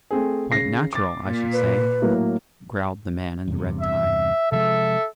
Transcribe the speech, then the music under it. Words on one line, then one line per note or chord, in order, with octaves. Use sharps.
"Quite natural, I should say," growled the man in the red tie.
A3 C4 G#4
C#3 A#6 C7
D6 A6
A#2
B4
A2 F#3 A#3
E2 G2 C3
E5
C3 F3 G#3 A4 E5